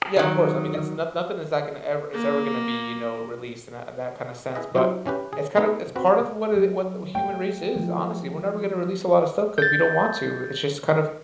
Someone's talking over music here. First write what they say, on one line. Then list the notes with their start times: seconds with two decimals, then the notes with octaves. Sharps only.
Yeah, of course, I mean, that's not nothing is that gonna ever is ever gonna be, you know, released in that in that kinda sense, but it's, kind of it's part of what it what the human race is, honestly, we're never gonna release a lotta stuff 'cause we don't want to, it's just, kind of
0.16 D#3 F#3
2.13 A#3
4.55 E4 G#4 B4 D#5
4.75 F#3 D#4 F4 G4 C5
5.06 E3 C#4 G4 B4
5.33 G#4
5.56 A3 B3 D#4
5.96 C4 F#4 B4
6.55 F#3
7.15 A3 G5
7.76 E3 F3 A3
9.58 G6 A6